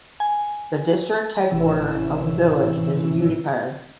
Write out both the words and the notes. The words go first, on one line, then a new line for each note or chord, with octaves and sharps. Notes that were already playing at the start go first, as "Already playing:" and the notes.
The District head quarter of the village is Udaipur.
G#5
G#1 A2 C3 E3 C#4 E6